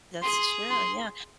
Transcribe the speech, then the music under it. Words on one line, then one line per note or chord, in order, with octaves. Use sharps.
that's true, yeah,
G#4 C6
C6